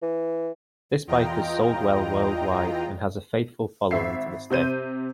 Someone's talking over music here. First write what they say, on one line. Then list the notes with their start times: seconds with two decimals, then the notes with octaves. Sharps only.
This bike has sold well worldwide and has a faithful following to this day.
0.02 E3
1.07 E2 F4 D#5 G5 A#5
3.91 G#1 E5 C7
4.50 C3 C4 G6 D#7